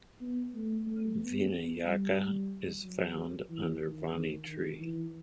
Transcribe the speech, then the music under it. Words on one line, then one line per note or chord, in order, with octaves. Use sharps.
Vinayaka is found under Vanni Tree.
B3
A3
A3
B3
B3
G3
F#3
E3
D#3
D#3
D#3
E3